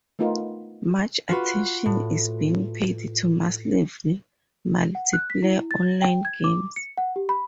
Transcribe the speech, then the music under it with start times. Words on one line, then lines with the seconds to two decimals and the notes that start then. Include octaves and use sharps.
Much attention is being paid to massively multiplayer online games.
0.19 A3 B3 D#4 F4 A#4
1.29 F4 F#4 B4
1.86 A2
4.95 F#5
5.13 F#6
5.30 B6
5.42 E4
5.71 A6
6.02 G5
6.25 G#6
6.44 D6
6.76 C#7
6.97 F#5
7.16 G4
7.29 B5